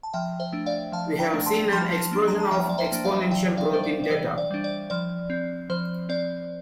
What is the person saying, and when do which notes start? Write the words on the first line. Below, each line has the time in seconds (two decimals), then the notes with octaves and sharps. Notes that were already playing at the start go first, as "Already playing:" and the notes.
We have seen an explosion of exponential growth in data.
0.03 A5
0.13 F3 E5 G5
0.40 C5 E5
0.53 A3 D4
0.66 D5 F5
0.92 F3 F5 A5
1.19 G5 A#5
1.33 A3 D4
1.46 A5 C6
1.72 F3 A5 C6
2.11 A#3 D4 C6
2.28 A#5
2.40 A5
2.51 F3 E5 G5
2.69 D5
2.78 C5 E5
2.91 A#3 D4
3.05 D5 F5
3.31 E3 E5 G5
3.57 D5 F5
3.71 G3 D4 C5
3.84 D5
4.04 D5
4.10 E3 C5
4.38 D5
4.51 G3 D4
4.64 D5
4.90 F3 D5
5.30 C4
5.70 F3 C5
6.09 C4 D5